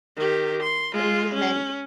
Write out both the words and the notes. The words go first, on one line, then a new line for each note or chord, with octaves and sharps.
the movement.
D#3 G4
C6
G#3 F4
C#4